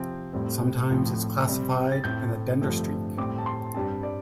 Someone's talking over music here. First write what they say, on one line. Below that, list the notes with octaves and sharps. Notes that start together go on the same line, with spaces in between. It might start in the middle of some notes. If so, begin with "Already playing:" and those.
Sometimes it's classified in the Denderstreek.
Already playing: C3 F3 C4
A2 G3 C4
A2 F3 A3 C4
C3 G3 C4
A6
A2 A3 C4 G6
G2 D3 F3 A3 C4
A2 G3 C4 D6
A5
C6
G2 G3 C4 A5
D5